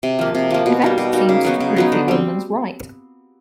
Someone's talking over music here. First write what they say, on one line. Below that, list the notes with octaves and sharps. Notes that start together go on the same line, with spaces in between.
Events seemed to prove the omens right.
C3
F3 A#3
C3
F3 A#3
B2
G3 A#3 D#4
B2
G3 A#3 D#4
C#3
F#3 B3 D#4
C#3
F#3 B3 D#4
D3
G3 C4